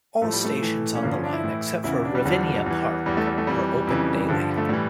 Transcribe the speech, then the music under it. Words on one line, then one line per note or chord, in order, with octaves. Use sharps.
All stations on the line except for Ravinia Park are open daily.
A2 F3 A3
G3
A3
A2 E3
C#4
G2 D3 F3 A#3
C#4
D4
E4
A2 E3
E2 C#3 E3 E4
E4
D4
G3
E2 D3 F3 G3
E2 E3
E2 E3 G3
A3
G3
A3
F2 E3 G3
F2 C#3 E3
G2 D3 F3
A3
A2 E3 G3